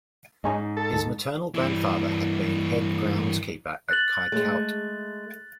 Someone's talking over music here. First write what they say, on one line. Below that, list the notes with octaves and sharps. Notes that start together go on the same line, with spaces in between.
His maternal grandfather had been head groundskeeper at Kykuit.
G#2 G#3 C#4 D#4
A4
D2
G2 E3
F#6 A6 F#7
G#3 A3